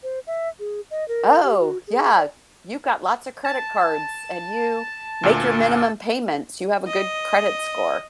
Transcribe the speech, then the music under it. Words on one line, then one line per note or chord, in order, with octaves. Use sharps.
"Oh, yeah. You've got lots of credit cards, and you make your minimum payments. You have a good credit score."
C5
E5
G#4
D#5
A#4
G4
F#4
G#4
D5
A5
D2 A#2
D#5